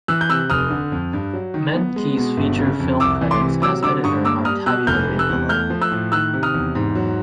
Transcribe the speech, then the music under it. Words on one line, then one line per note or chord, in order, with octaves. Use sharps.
Menke's feature film credits as editor are tabulated below.
E3 E6 F#6
G6
C3 E6 F#6
F1 D#6 F6
D3
F2
G2
F#3
D#3
B3
G#3
B2
G1
C#3
F2
C2 D6 E6
E3
C6 D6
C3
F#3 D6 E6
D3 D6 E6
G2 C#6 D#6
A#3 D6 E6
G3 D#6 F6
B2 E6 F#6
F1 F6 G6
C3
E6 F#6
E2
A3 F6 G6
F3
E6 F#6
A2
D#3 E6 F#6
C3
D#6 F6
E2
G#2
F#3